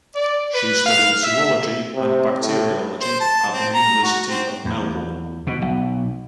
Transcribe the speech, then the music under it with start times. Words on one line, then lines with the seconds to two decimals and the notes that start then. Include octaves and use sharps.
She studied zoology and bacteriology at the University of Melbourne.
0.15 D5
0.54 B4
0.85 F5
1.22 E5
1.95 C3
2.41 A2
3.01 C5
3.20 A5
3.52 C4
3.74 A#5
4.03 F#4
4.29 C4
4.65 E2
5.47 B2
5.62 B1